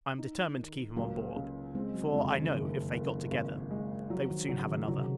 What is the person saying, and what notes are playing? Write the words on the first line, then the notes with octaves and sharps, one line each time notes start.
I am determined to keep him on board; for, I know, if they got together, they would soon have another.
D#4
D#3
C#2 F#3 A#3
C#3
G#3 C4
F#3
F2 G#3
C#3
D#3
F#1 D#3
F#1
G#1
G#3
F3 F#3
D#3
C#3 F#3
D#3
C#3 F#3
C3